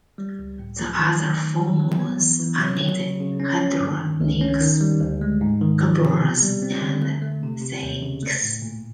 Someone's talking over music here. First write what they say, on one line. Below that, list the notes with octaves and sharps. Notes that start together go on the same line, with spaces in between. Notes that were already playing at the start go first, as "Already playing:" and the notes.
The other four moons are named Hydra, Nix, Kerberos, and Styx.
G3
C#2
A2
A3
D#3
F#3
D#3
G3
F#3
B3
E3
E3
F#3
F#3
C#3
C#3
C#4
C#4
G2
D#3
C#2
C#4
D#3
G3
D2
G#3
G#2
D#3
F3
C3
B2
G3
C4
D3
A3
A3
C3
C3
D#2
C#3
A3
A2
A#2